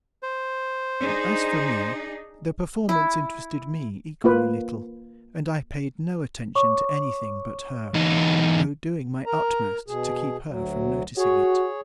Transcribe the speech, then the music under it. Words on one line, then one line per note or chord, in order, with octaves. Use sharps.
As for me, the performance interested me equally little, and I paid no attention to anything but her, though doing my utmost to keep her from noticing it.
C5
D4 D#4 G#4
E4
A#3 F4 B4
C#5 C#6 D6
E2 D#4
A#4 A#5
B2 G#4
D2 F#3
F#4 G#4 C#5